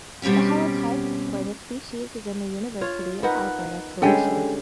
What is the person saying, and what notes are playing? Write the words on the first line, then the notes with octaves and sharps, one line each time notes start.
The holotype for this species is in the University of Alberta collection.
B2 G3 C4 C#4 G4
F4 C#5
D#4 A#4 B4 D#5 F#5
D3 G3 G#3 C#4 A4 G5 G#5